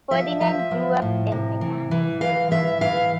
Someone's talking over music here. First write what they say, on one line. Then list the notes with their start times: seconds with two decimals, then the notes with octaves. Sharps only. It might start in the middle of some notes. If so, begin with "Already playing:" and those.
Ferdinand grew up in Peckham in a large family.
0.11 F3 E5
0.41 F3 E5
0.71 F3
1.02 A2
1.32 C3
1.61 E3
1.91 E3
2.21 E3 F5
2.51 E3 E5
2.81 E3 F5